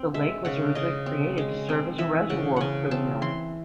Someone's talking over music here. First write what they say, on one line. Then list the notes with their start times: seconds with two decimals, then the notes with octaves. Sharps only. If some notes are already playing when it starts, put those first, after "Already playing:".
The lake was originally created to serve as a reservoir for a mill.
Already playing: C4
0.14 G#3 E5
0.45 C#3 F#5
0.75 C#3 D#5
1.06 C4
1.38 G#3
1.69 C4
1.98 E3 E5
2.30 C#3 F#5
2.56 C#3 F#5 G#5
2.91 C4 A5
3.22 E3 C6